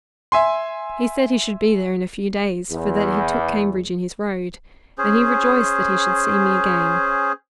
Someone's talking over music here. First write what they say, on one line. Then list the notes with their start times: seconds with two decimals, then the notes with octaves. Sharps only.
He said he should be there in a few days, for that he took Cambridge in his road; and he rejoiced that he should see me again.
0.32 E5 G#5 C6
2.71 E2
4.98 C#4 G#4 C5